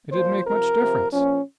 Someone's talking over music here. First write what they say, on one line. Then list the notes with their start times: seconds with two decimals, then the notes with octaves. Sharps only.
It didn't make much difference.
0.12 A#2 F3 C5
0.46 C3 F3 A#4
0.78 C3 F3
1.12 A#2 F3 C#4